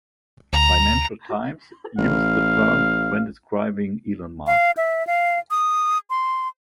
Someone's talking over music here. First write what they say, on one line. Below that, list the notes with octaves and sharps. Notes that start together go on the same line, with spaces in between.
"Financial Times" used the term when describing Elon Musk.
D2 A#5
A1 F5
F5
E5
F5
D#6
C6